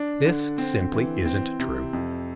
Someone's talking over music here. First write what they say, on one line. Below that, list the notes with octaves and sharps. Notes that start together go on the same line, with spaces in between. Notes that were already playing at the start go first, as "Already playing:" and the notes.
This simply isn't true.
Already playing: D4
D3
C4
E3
C4
C3
F2